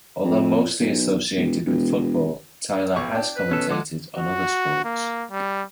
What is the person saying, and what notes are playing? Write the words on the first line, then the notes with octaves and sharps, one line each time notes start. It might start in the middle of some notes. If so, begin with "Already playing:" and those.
Although mostly associated with football, Tyler has commentated on other sports.
F2
B1
E1
E1
B1 C#6 D6
D4 G5 A5
B4
B2 C#4 A4
F3 G#3 A4 F#5 D6
F#4
A#3
G3